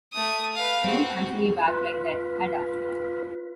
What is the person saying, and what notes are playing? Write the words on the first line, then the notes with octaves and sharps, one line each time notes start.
Don’t answer me back like that, Ada.
A3 D#6
B4 F5
C4 F#4
F4 B4